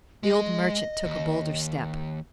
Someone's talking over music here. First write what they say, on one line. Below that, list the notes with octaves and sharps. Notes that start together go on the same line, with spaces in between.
The old merchant took a bolder step.
G#3 D#5
D#2